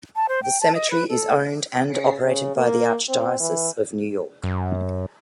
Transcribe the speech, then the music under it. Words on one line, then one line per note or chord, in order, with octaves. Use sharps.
The cemetery is owned and operated by the Archdiocese of New York.
A5
C5
G5
A5
D#5
B4
A4
C#3
C#3
A#3
C4
E3
F#2